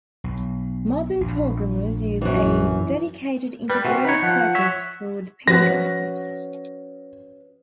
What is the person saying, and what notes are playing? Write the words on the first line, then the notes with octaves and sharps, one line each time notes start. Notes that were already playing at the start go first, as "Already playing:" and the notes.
Modern programmers use a dedicated integrated circuit for the pin drivers.
B1
A#1
F#2 E3
G3 B4
C3 E3 F#4
D#4 B4 C#5
F3 F#5
C#5 E5
F3 C#4 F#4 B4 A#6